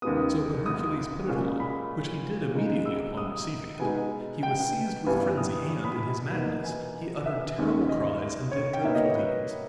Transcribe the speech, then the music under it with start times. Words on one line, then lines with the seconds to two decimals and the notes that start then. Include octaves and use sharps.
So when Hercules put it on, which he did immediately upon receiving it, he was seized with frenzy and, in his madness, he uttered terrible cries and did dreadful deeds.
0.02 D#2 C#3 G#3 B3 D#6
0.66 D#6
1.28 A#2 G#3 C#4
1.60 B5
2.54 C#3 G#3 D#4
2.86 E6
3.17 D#6
3.80 B2 G#3 B3 D#4 G#5
4.43 G5
5.07 G2 E3 G3 B3 G#5
5.37 D#6
5.69 D#6
5.85 B5
6.00 B5
6.31 E2 B2 A#3 D#4
6.64 G#5
7.26 E5
7.58 D#2 D#3 A#3 C#4
7.89 D#5
8.51 C#5
8.73 G5
8.84 B2 A#3 D#4 E5
8.95 D#5
9.05 C#5
9.15 B4